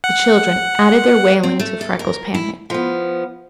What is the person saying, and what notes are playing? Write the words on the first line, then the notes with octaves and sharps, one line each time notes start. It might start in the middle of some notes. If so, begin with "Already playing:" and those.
The children added their wailing to Freckles' panic.
F#5
C4
A3
A4
A#4
E4
F3 B3